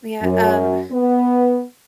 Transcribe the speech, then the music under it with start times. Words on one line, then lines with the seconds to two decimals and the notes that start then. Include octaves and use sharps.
Yeah, um,
0.22 F#2
0.92 B3